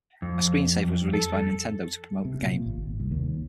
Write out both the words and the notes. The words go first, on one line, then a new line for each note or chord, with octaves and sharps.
A screensaver was released by Nintendo to promote the game.
F2
A4
C3
A#2
G#1
C2
D#2